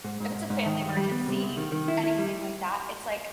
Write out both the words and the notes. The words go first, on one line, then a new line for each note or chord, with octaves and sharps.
If it's a family emergency, anything like that, it's, like
G#2
G#2
G#2
G#2
D#3
G2
G3
B3
C3
C2
D#3
D#3
E4
E4
G3